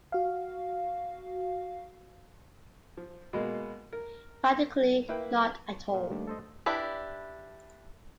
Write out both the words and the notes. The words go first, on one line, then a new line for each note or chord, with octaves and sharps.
Practically not at all.
F#4 F5
F3
B2 G#3 A#3
A#4
A#3 E4 B4 G5
A#2
D#2 G3 A3 D4
A4 C5 D#5
D4 E4 G4 B4